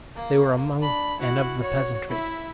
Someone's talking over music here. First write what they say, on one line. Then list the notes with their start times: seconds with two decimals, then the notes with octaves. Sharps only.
They were among and of the peasantry.
0.16 A#3
0.80 D4 B5
1.19 E4 F#4
1.61 F#4 C#5
2.09 E4 E5